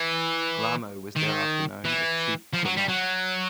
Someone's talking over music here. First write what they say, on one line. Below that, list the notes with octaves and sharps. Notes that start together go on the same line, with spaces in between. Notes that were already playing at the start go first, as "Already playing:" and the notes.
Glahmo was thereafter known as Chief Clermont.
Already playing: E3
D#3
E3
F3
F#3
G3
F#3